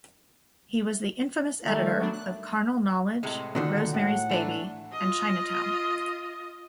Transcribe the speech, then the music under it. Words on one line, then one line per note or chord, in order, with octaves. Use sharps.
He was the infamous editor of "Carnal Knowledge," "Rosemary's Baby", and "Chinatown".
D#3 G3 A3
F#3 B3 D4
F#6
A2 C3 G#3 D#5
A#2 D3 D#3 F#4 A4 D5
A2 F#5
E3 A3 D4
F4 D#5